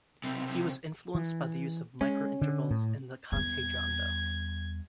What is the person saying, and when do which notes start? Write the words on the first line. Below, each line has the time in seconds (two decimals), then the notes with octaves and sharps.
He was influenced by the use of microintervals in the "cante jondo".
0.24 B1 C3
1.15 E3
2.01 G#3 C#4
2.41 D3
2.71 A2
3.32 E2 G3 G#6